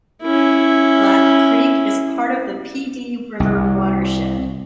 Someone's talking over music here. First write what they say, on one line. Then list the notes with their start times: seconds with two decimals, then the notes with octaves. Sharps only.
Black Creek is part of the Pee Dee River watershed.
0.22 C#4 E4
3.40 C2